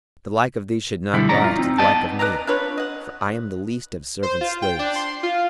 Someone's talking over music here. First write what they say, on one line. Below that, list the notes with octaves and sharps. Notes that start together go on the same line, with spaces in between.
The like of thee should not rise to the like of me, for I am the least of servants' slaves.
B2 D3 G3 E4
F2 A2 C#4 D5 A#5
F4
C4 D#4
B3 C4 D5 D#5 G5 A5
B4 D5 D#5 A#5
D4 F4 B4 C#5
D#5 F#5
C5
F4
G5
D4
C6
F4